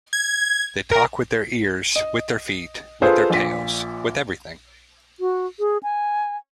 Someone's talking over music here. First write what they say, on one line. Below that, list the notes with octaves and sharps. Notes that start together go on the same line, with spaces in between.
They talk with their ears, with their feet, with their tails — with everything.
G#6
A#4
D#5
F4 G#4 A4 B4 C5
A#1 A#2 B6
F#4
G#4
G#5